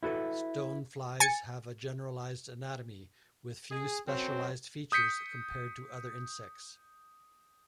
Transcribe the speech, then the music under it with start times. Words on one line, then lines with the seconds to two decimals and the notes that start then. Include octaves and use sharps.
Stoneflies have a generalised anatomy, with few specialised features compared to other insects.
0.03 E4 F#4 A4 B4
1.20 G#5 A6 C#7
3.71 G#4
4.06 F#2 F#3 C4
4.92 D#6 G6 B6 C#7